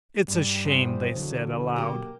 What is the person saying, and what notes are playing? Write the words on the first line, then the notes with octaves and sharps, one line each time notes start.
"It's a shame!" they said, aloud.
G2 G3
E2 C5
B2 D3 F#3
A#3 G4